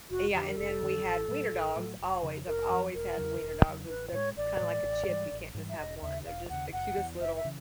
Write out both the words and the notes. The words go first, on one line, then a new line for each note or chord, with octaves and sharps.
Yeah, and then we had wiener dogs always, I've always had wiener dogs, as they're they're kinda like a chip, you can't just have one. They're just the cutest little,
F1 F#4
F2 D3 G4
A#4
F1 A4
F2 D3
A1
A2 F#3
A1
A2 F#3
F1
F2 C#3 F3
F1 A#4
F2 C#3 F3
E1 A#4
E2 C#3 F#3
E1
E2 C#3 F#3
A1 B4
A2 E3 G#3 C#5
A1 D5
A2 E3 G#3
A1
G#2 E3 G3
A1
G#2 E3 G3
E5
E1 D#5
D#2 E5
C#3
E1 F5
D#2 C#3 F#5
F#1 F#5
E2 C#3 E3
F#1 E5
E5
C#3 E3